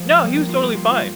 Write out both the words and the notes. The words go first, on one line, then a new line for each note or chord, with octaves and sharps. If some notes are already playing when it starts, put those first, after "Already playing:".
No, he was totally fine.
Already playing: F3
G#3
G3
A#3
F4
G4
F4
F4